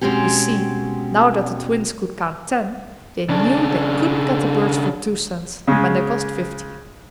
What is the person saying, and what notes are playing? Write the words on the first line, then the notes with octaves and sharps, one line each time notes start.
You see, now that the Twins could count ten, they knew they couldn't get the birds for two cents when they cost fifty.
B2 G#3 C4 C#4 G4
C#3 D4
C#3 G#3